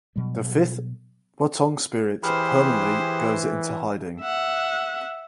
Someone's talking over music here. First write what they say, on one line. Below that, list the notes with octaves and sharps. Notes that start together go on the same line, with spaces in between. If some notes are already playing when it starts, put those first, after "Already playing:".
The fifth Wutong spirit permanently goes into hiding.
B2 F#3 G3
E3 G4 G#4 B4 C5 B5 F6
E5 F#5